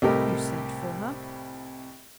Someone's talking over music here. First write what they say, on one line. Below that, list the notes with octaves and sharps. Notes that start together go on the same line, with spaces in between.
"You sent for her?"
C2 A2 G4 A4 A#4 D#5